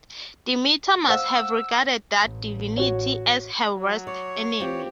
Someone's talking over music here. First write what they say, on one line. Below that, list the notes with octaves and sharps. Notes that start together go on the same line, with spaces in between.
Demeter must have regarded that divinity as her worst enemy.
C5 F5 F#5 E6
A1
F#4 C#5
F#3
C#5 D5
C4 F4 G4